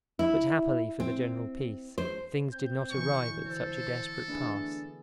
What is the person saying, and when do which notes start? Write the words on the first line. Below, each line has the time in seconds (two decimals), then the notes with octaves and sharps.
But happily for the general peace, things did not arrive at such a desperate pass.
0.19 E4
1.00 C4
1.98 C5
2.52 C4 G6
2.91 B2 D3 E3 C#6
3.46 A4 C5
4.28 A3 B3 D4 G#4